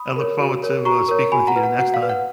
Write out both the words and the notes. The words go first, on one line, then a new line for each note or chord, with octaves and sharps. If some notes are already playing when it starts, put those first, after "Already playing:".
I look forward to, uh, speaking with you the next time.
Already playing: B5 D#6
A#4 C#5
F#4
A#4 C#5
F#4 A#5 C#6
A#4 C#5
F#4 G#5 B5
F#5 A#5
B4
F#5
F#4 F#5
F5
B4
F#5